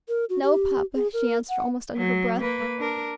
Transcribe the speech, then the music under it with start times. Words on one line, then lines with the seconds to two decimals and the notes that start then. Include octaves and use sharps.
"No, papa," she answered almost under her breath.
0.08 A#4
0.29 F#4
0.43 G4
0.95 G#4
1.13 A#4
1.49 F#5
1.97 F#3
2.41 A#3 B4
2.78 D4 A#4